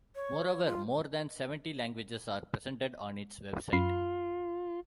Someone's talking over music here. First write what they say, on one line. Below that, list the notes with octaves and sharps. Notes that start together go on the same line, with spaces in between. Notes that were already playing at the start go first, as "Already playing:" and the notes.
Moreover, more than seventy languages are presented on its website.
C#5
F4
F#2 F4 B5 C7